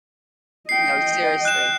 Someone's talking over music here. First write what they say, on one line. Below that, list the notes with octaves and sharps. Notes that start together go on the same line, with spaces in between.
No, seriously.
D#5 G5 C7
F#6 E7